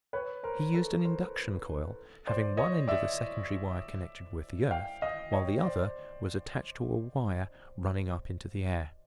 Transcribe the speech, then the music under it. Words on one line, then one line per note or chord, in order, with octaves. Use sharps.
He used an induction-coil having one end of the secondary wire connected with the earth, while the other was attached to a wire running up into the air.
B4 C#5
A#4 C5
A4 B4
A#4 C5
C5 D5
C#5 D#5
D5 E5
F5 G5
D#5 F5
C#5 D#5
C5 D5